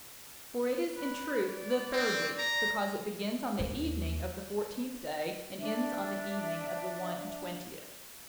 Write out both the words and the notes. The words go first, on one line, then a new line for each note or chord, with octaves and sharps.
For it is in truth the third week, because it begins on the evening of the fourteenth day, and ends on the evening of the one-and-twentieth.
B4
D5
C4
A#5
D#2
D4 E5